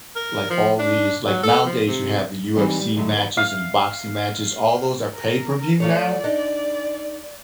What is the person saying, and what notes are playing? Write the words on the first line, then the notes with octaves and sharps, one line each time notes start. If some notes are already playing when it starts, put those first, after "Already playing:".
like, all these like, nowadays, you have the UFC matches and boxing matches, all those are pay-per-view now?
A#4
F3
D4
F#3
A4
F3
C3
E3 G3 A#3 C4 D#4 E4
G3
A2 D3 D#3 F#3 A3 D#4
E2 A#4 B4 A#5
F5
A#4
F3 A3 C#5 D5
D4 D#4